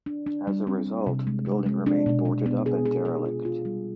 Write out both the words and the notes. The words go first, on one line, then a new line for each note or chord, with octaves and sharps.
As a result, the building remained boarded up and derelict.
D4
D4
G3
C4
G3
C3
G#3
G#3
G#3
D4
B2
D4
B3
G#4
G#4
G#4
F4
F4
G3